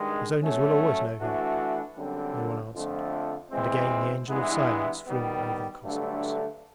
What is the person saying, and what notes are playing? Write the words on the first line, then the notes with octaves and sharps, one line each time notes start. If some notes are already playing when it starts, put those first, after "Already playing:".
His owners will always know him!' No one answered, and again the Angel of Silence flew over the Cossacks.
Already playing: G2 D#3 G#3
F#3 A3 C#4
E3 A3 D4 F#4
F#2 D3 G3 C4
F2 D3 F3 A3
E3 G#3 C4
G2 E3 G#3 B3 E4
D#3 G3 B3
G2 D3 F#3 A3